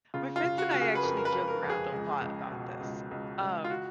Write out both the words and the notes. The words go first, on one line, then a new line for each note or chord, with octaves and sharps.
my friends and I actually joke around a lot about this, um,
C#3 F4
F4
C#3
F#4
C#3 F#4
G#4
B4
F2 A#4
A#4
B4
F2
A#4
F2
G#4
C#2
C#2
B2
C#2
C#2
C#2
F4
F#4